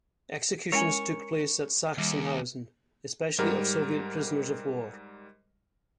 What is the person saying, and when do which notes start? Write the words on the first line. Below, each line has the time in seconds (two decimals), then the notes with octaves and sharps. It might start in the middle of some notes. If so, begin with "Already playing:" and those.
Executions took place at Sachsenhausen, especially of Soviet prisoners of war.
0.72 G#3 C#4 E4 A#4 C#5 G#5
1.98 D#2 G3
3.38 G#2 G3 A#4